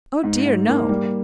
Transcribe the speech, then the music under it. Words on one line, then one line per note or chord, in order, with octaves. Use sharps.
"Oh dear, no!"
G#2
G#2
A#3
G3